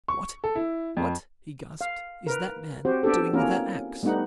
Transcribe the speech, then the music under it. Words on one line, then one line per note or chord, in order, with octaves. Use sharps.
"What--what," he gasped, "is that man doing with that axe?"
C#6
A4
E4
F2
F5
A#4 B4
C4 F#4 G4 C5
B3 D4 G4 A4
A#3 C4 C#4 E4 F#4 A#4
G3 A3 B3 D#4 F#5